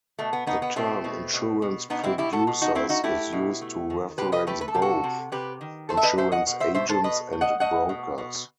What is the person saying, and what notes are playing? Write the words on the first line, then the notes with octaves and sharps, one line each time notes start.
The term insurance producers is used to reference both insurance agents and brokers.
B2 A3
B3
B2 B3 D#4
B3
B2 A3 C4
B2
B2
B2
B2 B3 D#4
C4 E4
B2 E4 G4
F#4 A4
B2
D#4 F#4
A3 C4 E4
D#4 F#4
A3 E4 G4
B2
A3
D#3
C3 G4 B4
B4 D#5
A3 G4 B4
B4
A4
C3 G4
F#4 A4
C3
C3 G4 B4
D#3
A3 A4 C5
E5
B4 D#5
B2 C5 E5
D#5 F#5
B2
C5 E5
B2 C5 E5
A4 C5
B2 B4 D#5
A3
D#5 F#5
A3 D#5 F#5
B2
B2